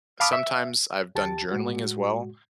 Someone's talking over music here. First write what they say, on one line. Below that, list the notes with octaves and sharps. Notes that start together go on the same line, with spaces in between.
sometimes I've done journaling as well.
F5 A5 B5 D6 D#6 F6
E5
D#2 G4 A5 A6
A2 G#3 F#4